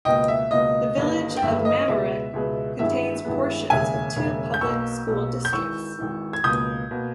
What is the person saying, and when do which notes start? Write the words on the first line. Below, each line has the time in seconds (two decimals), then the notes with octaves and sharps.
The Village of Mamaroneck contains portions of two public school districts.
0.05 C#2 B2 A#3 D#5 G5
0.28 E5
0.51 C#2 B2 A#3 D#5
0.96 G1 G2 D#3 A#3
1.37 G5
1.42 G1 G2 D#3 A#3 E5
1.65 D#5
1.88 C#2 B2 G#3 B3 E5
2.33 C#2 B2 G#3 B3
2.79 G#1 G2 E3 G#3 B3 E5
3.25 G#1 G2 E3 G#3 B3
3.70 E1 D#2 C#3 E5 G#5
4.16 E1 D#2 C#3
4.54 G6
4.61 B1 B2 A#3 C#6 E6
5.07 B1 B2 A#3
5.45 G6
5.52 G#1 G#2 E3 C#6 E6
5.99 G#1 G#2 E3
6.33 G#6
6.44 C#2 B2 A#3 D#6 G6
6.91 B2 A#3